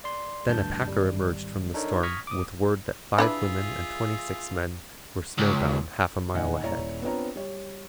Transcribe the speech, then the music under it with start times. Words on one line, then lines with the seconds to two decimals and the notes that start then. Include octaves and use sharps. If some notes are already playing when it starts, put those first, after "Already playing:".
Then a packer emerged from the storm with word that five women and twenty-six men were snowbound half a mile ahead.
0.04 D5 C6
0.48 A1 D2 G2 A5 G6
0.87 G#1 G3
1.74 D4 D#4 A4 A#4 C#5
2.03 C#6 D#6 F6 G#6 A#6 B6
2.27 D6 D#6
3.18 D4 E4 F4 G#4 B4 E5
5.38 C#2
6.34 D#1 D#3 D#5 F#5 G#5
6.63 D#1 E4 C#5 D5 A#5
7.02 B3 C4 D4 F4 C#5 A#5
7.36 G3 C#5